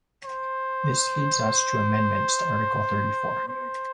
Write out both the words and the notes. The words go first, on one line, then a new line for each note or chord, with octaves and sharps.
This leads us to amendments to article thirty-four.
C5
C5